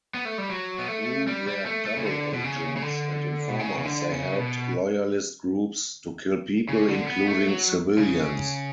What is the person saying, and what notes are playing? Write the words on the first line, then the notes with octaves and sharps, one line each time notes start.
Through their double-agents and informers, they helped loyalist groups to kill people, including civilians.
B3
A3
G3
F#3
B3
A3
G3
G3
A3
A3
C#3
D3
B2
C#3
C#3
D3
B2
C#3
C#3
D3
C#3
B2
C#3
D3
B3
A3
F#3
C#3